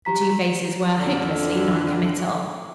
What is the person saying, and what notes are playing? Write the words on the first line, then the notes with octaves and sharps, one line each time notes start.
The two faces were hopelessly non-committal.
G4 A#5 B6
F2 D3